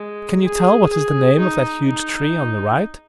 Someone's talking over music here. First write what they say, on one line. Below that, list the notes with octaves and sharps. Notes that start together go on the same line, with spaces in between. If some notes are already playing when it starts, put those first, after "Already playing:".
Can you tell what is the name of that huge tree on the right?
Already playing: G#3
G#4
G#4
D#4
D#4